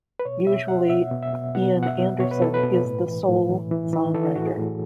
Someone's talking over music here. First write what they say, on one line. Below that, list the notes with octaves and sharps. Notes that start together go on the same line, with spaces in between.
Usually Ian Anderson is the sole songwriter.
B4
B2 C#5
B2 E5
B2 F#5
B2 E5
B2
E5
B2
B2 F#5
B2
F#5
E5
B2
B2 C#5
B4
B2 A4
B4
B2
A2
E3
A2
E3
E3
E3
E3 A4
A2 F#4
G#4
A2